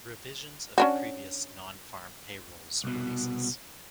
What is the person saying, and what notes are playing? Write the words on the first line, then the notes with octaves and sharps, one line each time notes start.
Revisions of previous nonfarm payrolls releases.
C#4 D4 F#4
C2 B2